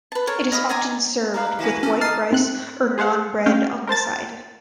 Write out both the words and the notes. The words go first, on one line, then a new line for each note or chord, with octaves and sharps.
It is often served with white rice or naan bread on the side.
B4 A5
A4 A#4 C#5
D#5 F5 B5 D#6
D5 D#5 G#5 A#5
D4 A#4 B4 F5
D#3 E4 F#4 B4 G#5
C#4 A4 D5
D#4 A4 D#6 F6 A6 C7
G#2 C4 F#6
G#4 C5 F5 F#5
A3 C#4 F5 G5
A#4 C5 A5 A6